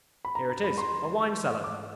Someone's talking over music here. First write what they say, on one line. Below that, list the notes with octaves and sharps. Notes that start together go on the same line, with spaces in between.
Here it is--a wine-cellar.
B5
D3 A#5
A#5
F2
B5
F3 C6
A3
E3 C#6
G#2
G#3 D6